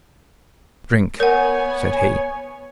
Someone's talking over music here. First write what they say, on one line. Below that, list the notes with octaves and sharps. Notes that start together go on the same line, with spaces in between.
"Drink!" said he.
B3 A#4 C#5 F#5 G#5